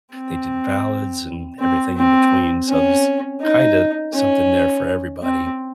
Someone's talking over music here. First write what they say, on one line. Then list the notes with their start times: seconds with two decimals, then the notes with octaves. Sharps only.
they did ballads and everything in between, so, there's, kinda, something there for everybody.
0.14 C4
1.59 C4
1.96 C4
2.69 C#4
3.41 D#4
4.14 C#4
5.22 C4